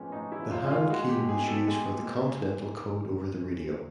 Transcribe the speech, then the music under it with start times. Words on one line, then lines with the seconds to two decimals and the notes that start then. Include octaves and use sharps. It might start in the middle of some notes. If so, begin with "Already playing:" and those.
The hand key was used for the continental code over the radio.
Already playing: A2 F3 G#3 A#3 B3 C#4
0.12 A2 D#4
0.32 E4
0.39 F3
0.51 F4
0.63 G#3
0.71 F4
0.90 G#3 F#4
1.09 G4
1.16 B2
1.29 G#4
1.41 B2
1.47 A4
1.67 G#3 G#4
1.93 B2
2.18 B2
2.44 E3